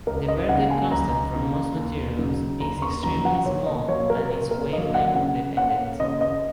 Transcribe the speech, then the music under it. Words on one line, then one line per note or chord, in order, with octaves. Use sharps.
The Verdet constant for most materials is extremely small and is wavelength dependent.
C#2 A#4
D#5
C#3 A#3 D#4 F#5
G#5
C#2 A#5
C#3 A#3 D#4
D#2
C#3 F#3 D#4
D#2 A#5
C#6
C#3 F#3 D#4 A#5
F#5
A#2 C#5
D#5
F#3 A#3 C#5
A#4
A#2 A#4
A#4
F#3 A#3 D#5
F#5
C#3 F#5
A#3 C#4 F#5
C#3 D#5
D#5